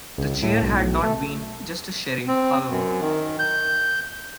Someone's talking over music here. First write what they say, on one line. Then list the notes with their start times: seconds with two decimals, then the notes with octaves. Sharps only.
The chair had not been just a charade, however.
0.18 C#2
0.42 A2
0.62 B1
1.03 A3
2.28 C4
2.70 F#2
3.01 D#3
3.39 G6